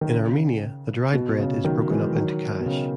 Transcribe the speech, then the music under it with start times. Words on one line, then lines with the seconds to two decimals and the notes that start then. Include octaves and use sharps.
In Armenia the dried bread is broken up into khash.
0.01 D#3
0.12 C#3
1.14 B2
1.40 C#3
1.64 D#3 F#3
1.90 E3 G#3
2.15 D#3 F#3
2.60 B2
2.66 C#3